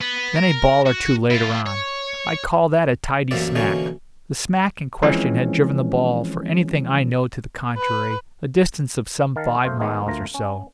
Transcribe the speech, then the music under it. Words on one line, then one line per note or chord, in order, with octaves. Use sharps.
Then a ball or two later on, "I call that a tidy smack." The "smack" in question had driven the ball, for anything I know to the contrary, a distance of some five miles or so.
B3
A#4
F#4
E4 F4
C#5
A1 F#2 A#3 C4 D5 E5
B2 D3 E3 F#3 A#3 C#4
E3 F3 G#3 C4 C#4
B4
D#3 A#4 F5 A5
F#2 A3 C5 F5
D#3 G#3 B3 D#4 F4 G#4
D2 A3 F4 A#4 A#5
C#4